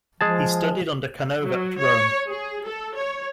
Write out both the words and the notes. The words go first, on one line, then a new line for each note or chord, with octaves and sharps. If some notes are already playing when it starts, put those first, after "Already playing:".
He studied under Canova at Rome.
F3 G#3 G#4 A5
F#3
C#5
G#4
A4
C#5